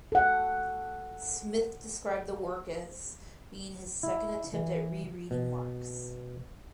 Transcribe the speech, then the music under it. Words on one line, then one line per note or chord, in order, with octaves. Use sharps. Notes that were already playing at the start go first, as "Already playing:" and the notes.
Smith described the work as being his second attempt at "rereading" Marx.
A4 F#5
E4
E3
B2